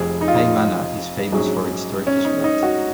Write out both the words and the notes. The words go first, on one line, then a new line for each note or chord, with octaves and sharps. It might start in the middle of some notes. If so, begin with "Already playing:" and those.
Haymana is famous for its Turkish baths.
Already playing: F1 F2 F3 G#4
D#4
F4
D#4
A#1 G#2 F#3 C#4 G#4
C#4
D#4
D#4
F#4